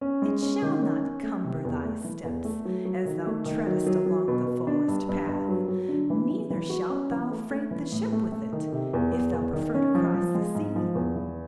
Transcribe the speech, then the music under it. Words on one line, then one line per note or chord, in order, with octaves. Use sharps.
It shall not cumber thy steps, as thou treadest along the forest-path: neither shalt thou freight the ship with it, if thou prefer to cross the sea.
C#4
G#3
C#4
D#3
C#4
C#4
A3
C3
E2
A3
E3
E2
A3
F#3
F#3
D#3
A3
D#3
F#3
F#3
F#3
B2
B2
D4
G2
G2
G2
F#3
F#3
D3
E3
E3
E3
F#4
C#4
E3
A3
A3
E3
A2
A3
A3
D#3
C3
E2
E2
E2
D#3
C#4
F3
F3
G#3
G#2
F3
E2
E3